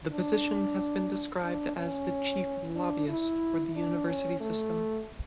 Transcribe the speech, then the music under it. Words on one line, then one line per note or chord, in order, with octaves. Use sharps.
The position has been described as the chief lobbyist for the university system.
D4
D4
C#4
D4
E4
D4
C#4
A3